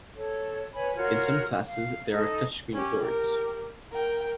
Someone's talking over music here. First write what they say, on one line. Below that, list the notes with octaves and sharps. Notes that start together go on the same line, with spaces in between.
In some classes, there are touchscreen boards.
A4 C#5
B4 C#5 G#5 B5
F4 F#4 A#4 C#5
F5
D#4 A4
C#4 G4
G4 A#4
A#4 G5